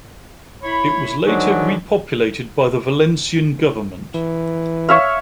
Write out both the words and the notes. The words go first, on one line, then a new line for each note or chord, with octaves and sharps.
It was later repopulated by the Valencian government.
E4 C#5 B5
G#2 D3 D#3 F#3 G#4
E3
C#5 E5 F5